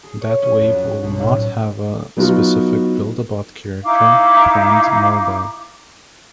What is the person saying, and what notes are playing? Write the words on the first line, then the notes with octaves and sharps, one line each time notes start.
That wave will not have a specific Build A Bot character, planned Morbo.
G#4
C#5
C#4
F2
F#4
B1
A2
D#7
F#3 B3 D#4 F4 F#4
D#4 E4 F5 D6